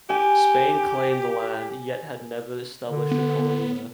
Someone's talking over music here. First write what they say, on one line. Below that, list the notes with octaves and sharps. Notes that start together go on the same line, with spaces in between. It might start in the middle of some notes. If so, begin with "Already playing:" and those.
Spain claimed the land yet had never established a colony there.
G4 G#5
D3
B3